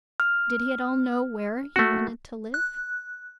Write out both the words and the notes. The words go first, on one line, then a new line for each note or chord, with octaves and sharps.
Did he at all know where he wanted to live?
F6
A3 F#4
F#6